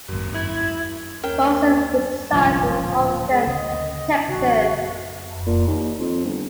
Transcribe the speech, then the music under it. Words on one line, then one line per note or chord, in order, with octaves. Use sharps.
Fossum resides in Houston, Texas.
G#1 D#2 C#3
E4 G#6
D#2 C#4 A#4 G5
G1 C2 G#2 F3
D1 A#2 C#4
G#3
D2 C#3 D#5
A1 C#3 F#4
A#2
D#2
F2
G1